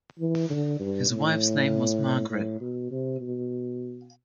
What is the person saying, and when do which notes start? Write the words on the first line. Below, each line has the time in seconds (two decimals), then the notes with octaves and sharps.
His wife's name was Margaret.
0.19 E3
0.50 D3
0.80 G2
1.10 A2
2.30 A2
2.60 B2
2.91 C3
3.20 B2